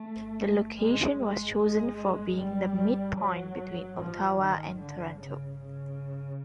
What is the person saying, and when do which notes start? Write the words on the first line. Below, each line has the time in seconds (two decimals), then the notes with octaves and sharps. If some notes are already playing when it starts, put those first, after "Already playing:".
The location was chosen for being the midpoint between Ottawa and Toronto.
Already playing: A3
0.77 G#3
1.18 G#3
1.57 G#3
2.38 G3
3.18 F#3
3.98 F3
4.38 D#3
4.78 D3
5.19 C#3
5.59 C#3